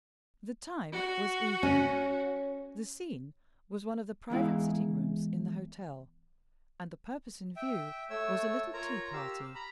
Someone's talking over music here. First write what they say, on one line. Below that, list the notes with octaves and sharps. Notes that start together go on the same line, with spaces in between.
The time was evening; the scene was one of the private sitting-rooms in the hotel; and the purpose in view was a little tea-party.
F#4
C#4
E2 G#2 E4 F5
E5 G5
A3 C#5 E6
F4 A#4 C#5 A#5
G4 F5 E6
A#5 B5